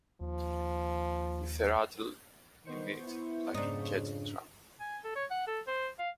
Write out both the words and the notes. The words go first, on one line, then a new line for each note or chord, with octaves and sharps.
With a rattle in it like a kettle-drum.
D#2 F3
D#3 B3 C5 C#6
E4
F2 G#2 C#3 D4 D#4
G#5
A4
C#5
F#5
A4
C5
F5